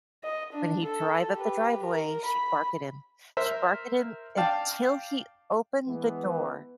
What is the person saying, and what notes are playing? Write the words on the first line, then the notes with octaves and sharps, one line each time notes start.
when he'd drive up the driveway, she'd bark at him. She'd bark at him until he opened the door,
D#5
D4
A4
G4 B4
A#4
B5
A#4 C5 E5
D5 F5 G5 A5
E3 G#3 B3